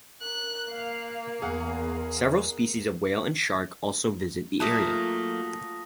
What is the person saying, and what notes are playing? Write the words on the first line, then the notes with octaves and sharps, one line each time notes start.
Several species of whale and shark also visit the area.
A#4 F#6
A#3 F5
E2 G#4 A#4 F5 F#5
F#3 A3 A#3 F4 A5 D#6 A#6